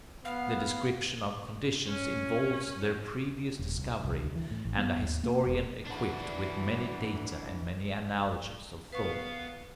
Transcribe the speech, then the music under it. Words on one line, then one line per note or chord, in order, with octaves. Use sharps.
The description of conditions involves their previous discovery and a historian equipped with many data and many analogies of thought.
B3 F5
C#4
D#1
C2
C2
D2
E3
A2
A1
B3
D#2
A#3
E1
E3 D4 F#4
B3 B4 F5 C#6